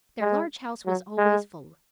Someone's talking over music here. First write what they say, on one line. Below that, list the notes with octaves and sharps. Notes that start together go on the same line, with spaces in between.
Their large house was always full.
G#3
F#3
G#3